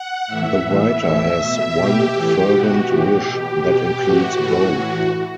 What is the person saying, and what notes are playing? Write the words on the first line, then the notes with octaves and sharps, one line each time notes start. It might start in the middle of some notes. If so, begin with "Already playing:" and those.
The writer has one fervent wish that includes both.
Already playing: F#5
A2 E3 E5
A2 E3 E5
A2 E3
B2
B2 G4
A2 E3 G4
B2 F#4
A2 E3 G4
B2
B2
A2 E3 F#4
A2 E3 F#4
A2 E3 F#4